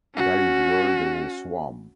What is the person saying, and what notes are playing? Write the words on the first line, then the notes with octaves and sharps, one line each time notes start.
That is where they will swarm.
C#4 F#4